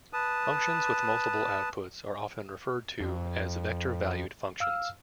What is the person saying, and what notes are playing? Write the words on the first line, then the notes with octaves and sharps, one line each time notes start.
Functions with multiple outputs are often referred to as vector-valued functions.
B4 A5 D#6
F2
F5 E6 F6